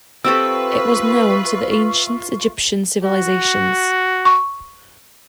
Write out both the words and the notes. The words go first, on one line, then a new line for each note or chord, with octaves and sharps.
It was known to the Ancient Egyptian civilizations.
C4 F4 G4 A4 B4 E5 C#6 E6
F#4
C#6